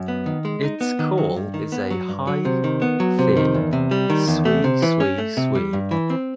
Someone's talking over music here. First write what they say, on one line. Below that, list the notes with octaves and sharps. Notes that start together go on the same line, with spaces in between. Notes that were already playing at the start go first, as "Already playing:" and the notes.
Its call is a high, thin "swee swee swee".
Already playing: F#2
B3
D#3
G#3
D#4
B3
D#3
F#3
G2
D#3
B3
F#3
G2
F#3
C3
D#3
B3
F#3
C3
D#3
E2
C3
G3
D#3
E2
A3
C3
E3
C#4
A3
C3
G3
G2
E3
C4